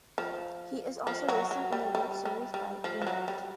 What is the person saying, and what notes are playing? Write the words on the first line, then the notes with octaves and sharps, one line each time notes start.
He is also racing in the World Series by Renault.
F3
F3
F#3
F#3
G3
G3
G3
G3
F3
F3
F#3
G3